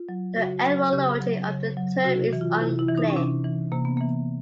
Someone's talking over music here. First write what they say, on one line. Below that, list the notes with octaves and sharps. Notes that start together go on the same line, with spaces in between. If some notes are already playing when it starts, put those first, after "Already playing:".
The etymology of the term is unclear.
Already playing: F4
F#3
C#3 F#4
F#3
C#3 G4
F#3
C#3
F#3
C3 F#4
E3
F4
C3 E4
E4
E3
D#4
C#4
C3 D4
E3
C3 A#3
B3
E3 A#3